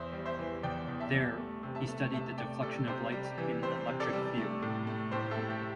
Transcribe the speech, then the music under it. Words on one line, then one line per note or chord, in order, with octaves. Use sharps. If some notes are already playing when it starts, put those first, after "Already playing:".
There he studied the deflection of light in an electric field.
Already playing: E2 C5 E5
G3
C5 E5
E3
E2 D5 G5
E2
E5 A5
G3
A3
C3
E5 A5
A3
C3 E5 A5
A3 D5 G5
C3 A4 D5
C3 G4 C5
G3
G4
E3
C3 G4 C5
C3
A4 D5
G3
A3
A2
A3
A2 G4 C5
E4 A4
A3
G4